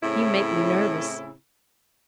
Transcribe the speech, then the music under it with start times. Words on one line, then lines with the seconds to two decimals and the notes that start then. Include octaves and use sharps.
"You make me nervous."
0.02 A2 C#3 C4 E4